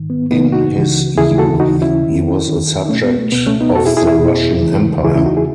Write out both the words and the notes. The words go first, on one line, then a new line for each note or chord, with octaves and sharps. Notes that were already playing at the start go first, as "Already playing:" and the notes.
In his youth he was a subject of the Russian Empire.
Already playing: G#2 D#3
B3
C#2 C#3 E3 B3 D#4
D#4 F#4
C#2 C#3 E3
D#2 C#3 E3 E4 G#4
F#4 A4
D#2 C#3 E3 D#4 F#4
C#4 E4
F#2 D#3
F#2 D#3
D#4
C#2 B2 A3 C#4
B3
A3
C#2 B2 B3
A3 C#4
B3 D#4
E2 B2 F#4 A4
E4 G#4
E4 G#4
E4 G#4
E2 B2
E2 C#3 E3
E2 C#3 E3 E4 G#4
C#4 E4
D#4 F#4
E4 G#4